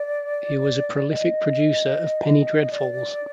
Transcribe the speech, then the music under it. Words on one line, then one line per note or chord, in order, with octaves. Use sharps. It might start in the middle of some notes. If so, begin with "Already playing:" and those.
He was a prolific producer of penny dreadfuls.
Already playing: D5
D#5
D5